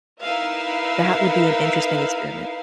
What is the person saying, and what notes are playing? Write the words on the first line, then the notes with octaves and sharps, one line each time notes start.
That would be an interesting experiment.
D#4 E4 A#4 B4 E5 F5